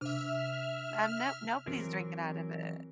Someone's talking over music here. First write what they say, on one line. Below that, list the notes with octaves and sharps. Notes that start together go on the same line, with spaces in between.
Um, no nobody's drinking out of it.
C3 D4 E5 F6
E3 F#3 C4 A#4